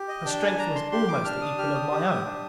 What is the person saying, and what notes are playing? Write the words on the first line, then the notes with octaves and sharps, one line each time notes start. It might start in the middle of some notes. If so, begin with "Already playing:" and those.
Her strength was almost the equal of my own.
Already playing: G4
D#5
D4 G5
G#5
D4 A#5
C6
G4 C6
D6
D4 F6
D#6
G4 F6
D#6
G4
D4